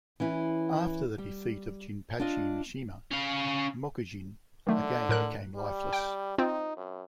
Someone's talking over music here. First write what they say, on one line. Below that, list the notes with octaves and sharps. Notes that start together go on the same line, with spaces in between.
After the defeat of Jinpachi Mishima, Mokujin again became lifeless.
E3 C#4 E4
G3
D4 F4 D#5
C#4 F5
D3 D#3 F#3 A3
A2 A#4 F#6
G3
G5
C4 D#4 F4 C5
F#2